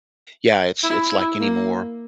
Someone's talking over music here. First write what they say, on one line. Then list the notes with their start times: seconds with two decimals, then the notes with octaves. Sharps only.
yeah, it's it's like anymore
0.84 E4
1.12 E4
1.41 A#3